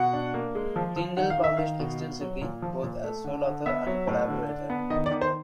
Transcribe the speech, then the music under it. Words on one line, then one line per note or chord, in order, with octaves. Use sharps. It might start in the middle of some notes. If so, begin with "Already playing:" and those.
Tindale published extensively, both as sole author and collaborator.
Already playing: B2 F#5
D4
A#3
G#3
F3
F3
D#3 F#5
F5
D#3
E5
D#3 F5
B2
B2
F#3
A#2
F3
A#2
A3
D3
D3
B3 E5
F#3
A2
D3
D4
B3
D#3 D#5
D5
D#3
C5